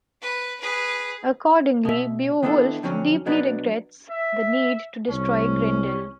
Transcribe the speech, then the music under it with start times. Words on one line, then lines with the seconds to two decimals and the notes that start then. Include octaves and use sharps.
Accordingly, Beowulf deeply regrets the need to destroy Grendel.
0.22 B4
0.60 G#4 B4
1.85 B2 E5
2.43 D#3 B3 D4 E4 A4
2.83 F2 D3 F#3 C#4
3.26 B2 F#3 B3 D4
4.10 E5
5.09 C2 C#4